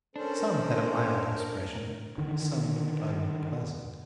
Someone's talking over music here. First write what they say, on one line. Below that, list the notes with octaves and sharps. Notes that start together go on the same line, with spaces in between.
Some had a mild expression, some looked unpleasant.
C#4 D4 A4 A#4 C5
D3 D#3